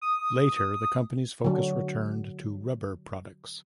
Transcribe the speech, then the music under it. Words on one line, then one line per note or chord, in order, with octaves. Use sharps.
Later, the company's focus returned to rubber products.
D#6
D3 F#3